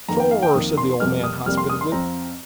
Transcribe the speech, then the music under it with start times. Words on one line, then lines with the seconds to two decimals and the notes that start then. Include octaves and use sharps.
"Shore!" said the old man hospitably.
0.08 F2 D#3 A#3 A#5
0.20 G5
0.31 F5
0.43 G5
0.54 F2 D#3 A#3 D#6
0.77 C6
1.00 F2 C3 G3 A#3 F6
1.23 D#6
1.46 F2 C3 G3 A#3 F6
1.57 C6
1.69 D#6
1.81 C6
1.92 F2 F3 C4 A#5